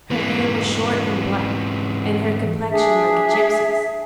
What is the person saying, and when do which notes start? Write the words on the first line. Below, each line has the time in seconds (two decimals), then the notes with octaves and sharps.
Her hair was short and black, and her complexion like a gypsy's.
0.10 G#2 E3
2.70 D4 G#4 E5